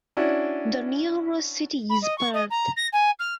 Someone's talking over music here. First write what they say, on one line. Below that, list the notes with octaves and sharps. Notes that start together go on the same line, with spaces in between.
The nearest city is Perth.
C#4 D4 E4 F#4
B5
D#5
C#6
D#5
A#5
A#6
G#5
F6